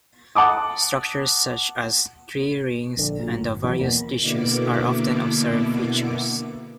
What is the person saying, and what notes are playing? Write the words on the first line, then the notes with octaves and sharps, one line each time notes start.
Structures such as tree rings and the various tissues are often observed features.
F#5 A5 D6 D#6
A#1 D3
A#2 F#3
G1
B1 C#3 E3 F#3
E2 B2 A#3
B2 D3 A#3 B3 E4 D6